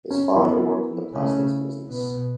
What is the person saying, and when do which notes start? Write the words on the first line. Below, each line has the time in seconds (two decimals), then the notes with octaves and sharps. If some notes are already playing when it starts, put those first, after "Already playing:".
His father worked in the plastics business.
0.11 C#4
0.36 E3 B3 E4
1.12 C#3 A3 C#4
1.88 B2 B3